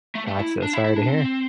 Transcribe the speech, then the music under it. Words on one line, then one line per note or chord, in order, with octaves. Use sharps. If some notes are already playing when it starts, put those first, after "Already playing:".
Gotcha. Sorry to hear.
A3
A3
E4
D4
E4
E4
D4
C4